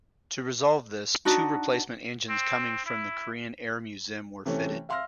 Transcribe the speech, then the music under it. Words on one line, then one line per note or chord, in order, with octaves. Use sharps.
To resolve this, two replacement engines coming from the Korean Air museum were fitted.
D4 D#4 F#4
C4
E4
C3 E3 A3 C#4
E5 F5 C6 E6 F6 A#6